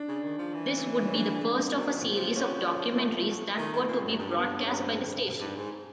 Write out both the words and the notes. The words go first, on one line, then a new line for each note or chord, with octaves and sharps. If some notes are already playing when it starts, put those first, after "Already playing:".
This would be the first of a series of documentaries that were to be broadcast by the station.
Already playing: D4
C#3
D#3
F3
E3
C#4
D4
F#3 C4
F3
F3
F3 C#4
A3
D#3 A3
D#3
A#2
F#2
G2 A#3
B3
C#4
C4
G2
G#2